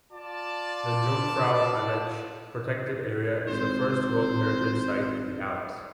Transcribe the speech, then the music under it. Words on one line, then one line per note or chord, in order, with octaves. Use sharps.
The Jungfrau-Aletsch Protected Area is the first World Heritage Site in the Alps.
F4 D5 A5
G#1 C5